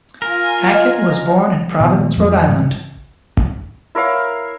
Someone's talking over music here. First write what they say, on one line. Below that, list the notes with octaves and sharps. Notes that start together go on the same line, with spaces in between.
Hackett was born in Providence, Rhode Island.
F4 A#4 G#5
D#5
A#2 D#3 F3 B3
F2 F3
G#2 C#3 E3 G3
E4 A#4 C#5 F5